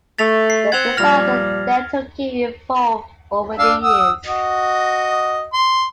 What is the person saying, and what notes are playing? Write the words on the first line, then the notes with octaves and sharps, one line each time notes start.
The design of the dental key evolved over the years.
A3 A6 B6 F7
C7
C4 F#5 G#6 F7
A#2 F3 G3 F6 A#6 F7
D4 F5 E6
F#5 D#6 E6
F#4 D#5
C6